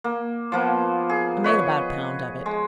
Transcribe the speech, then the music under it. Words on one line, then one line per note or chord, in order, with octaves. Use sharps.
I made about a pound of it.
A#3
F3 A#3 B3
G#4
B4 C#5 D#5
G#3